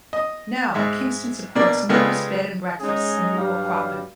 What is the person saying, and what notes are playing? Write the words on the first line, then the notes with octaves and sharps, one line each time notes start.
Now, Kingston supports numerous bed and breakfasts and rural cropping.
D#5
G#2 G#3 E5
B2 A#3 D4 D5
C#3 G3 G#3 B3 F4 A4
G#3 C#4 D#4 G#4
G2 F#3 G3 F5